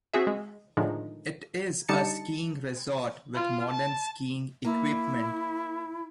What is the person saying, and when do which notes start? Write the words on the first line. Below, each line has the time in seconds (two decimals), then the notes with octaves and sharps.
It is a skiing resort with modern skiing equipment.
0.13 C4 F#4 G#4 E5
0.27 G#3
0.77 A2 D3 D#3 F3 G#3
1.88 D3 G3 D#4 A5 C#7
3.34 F4
3.71 A5
4.65 A#3 E4